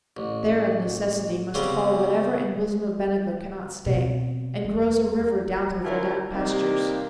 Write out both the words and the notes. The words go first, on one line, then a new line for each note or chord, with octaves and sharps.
There of necessity must fall whatever In bosom of Benaco cannot stay, And grows a river down through verdant pastures.
A1
C#3 G3 B3 C4
B2 C4
E2
D3 F3 C#4 E4 F#4 A#4
C3 D#3 G3 A#3